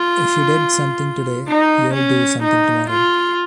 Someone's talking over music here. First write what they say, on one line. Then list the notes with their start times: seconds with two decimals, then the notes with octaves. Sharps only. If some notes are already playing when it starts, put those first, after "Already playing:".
If you did something today, you’ll do something tomorrow.
Already playing: F4
1.48 D#4
1.95 C#4
2.43 D#4
2.90 F4